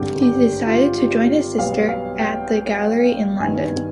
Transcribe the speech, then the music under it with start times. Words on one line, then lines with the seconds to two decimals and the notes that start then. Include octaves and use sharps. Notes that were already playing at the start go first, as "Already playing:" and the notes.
He decided to join his sister at the gallery in London.
Already playing: G#1 G2 D3 G4
0.22 G4
0.67 F4
0.97 G4
1.58 B1 B2 G3 B3 F5
1.88 F5
2.19 G5
3.40 G2 D#3 B3 G#5